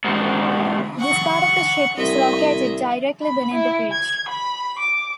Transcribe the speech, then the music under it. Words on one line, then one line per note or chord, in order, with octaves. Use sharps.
This part of the ship is located directly beneath the bridge.
E2 G#2
F#5 C#6
C2 D#5 E5
B5
E4
G#6
B5
D6